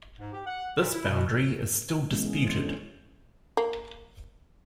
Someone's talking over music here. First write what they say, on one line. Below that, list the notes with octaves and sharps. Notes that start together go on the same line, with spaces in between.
This boundary is still disputed.
G#2
G4
F#5
A#2
E4
B2
E3 G#3 A#3 B3 C#4 E4
G#3 C4 C#4 G#4
E3 C5
C#4 D4 A4 B4
A#3